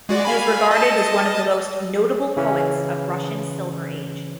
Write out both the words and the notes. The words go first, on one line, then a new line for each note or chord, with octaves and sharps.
He is regarded as one of the most notable poets of Russian Silver Age.
G#3 F#4 D5
F5 G#5 B5
D#5 A5
C#3 E3 C#4